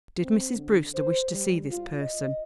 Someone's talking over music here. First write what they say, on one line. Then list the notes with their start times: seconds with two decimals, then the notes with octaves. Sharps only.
"Did Mrs. Brewster wish to see this person?"
0.22 C4
0.54 D3
0.94 C5
1.31 G3
1.70 F4
2.01 D#5